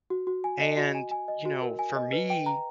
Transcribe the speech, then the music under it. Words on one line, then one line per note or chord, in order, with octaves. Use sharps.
and, you know, for me,
F#4
F#4
G#5
D#5
F#4
G#5
G#5
D#5
F#4
A#4
G#5
D#5
B4
G5
A#5